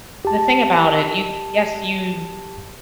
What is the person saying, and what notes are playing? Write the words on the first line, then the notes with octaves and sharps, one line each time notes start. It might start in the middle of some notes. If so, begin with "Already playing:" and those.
the thing about it, you yes, you
G4 A5